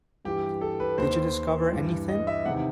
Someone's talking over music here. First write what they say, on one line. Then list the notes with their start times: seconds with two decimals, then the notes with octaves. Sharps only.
Did you discover anything?
0.25 G2 E3 G4
0.61 A4
0.80 B4
0.98 D#2 D#3 C5
1.72 G2 E3
2.09 D#5
2.27 E5
2.45 E2 C3 D#3 F#5